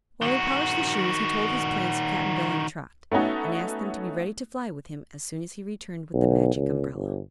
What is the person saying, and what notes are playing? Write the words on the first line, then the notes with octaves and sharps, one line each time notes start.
While he polished the shoes he told his plans to Cap'n Bill and Trot, and asked them to be ready to fly with him as soon as he returned with the Magic Umbrella.
D#3 F#4
A3 B3 C#4 D#4 F#4
B1
C#2
G1